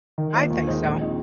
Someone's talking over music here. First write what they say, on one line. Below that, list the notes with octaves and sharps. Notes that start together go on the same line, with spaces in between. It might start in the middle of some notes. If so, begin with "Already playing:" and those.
I think so.
D#3
A#3 F4 C5 D#5
D#2
D#3 G#3 D#4 C5
A#1
G#3 C4 D#4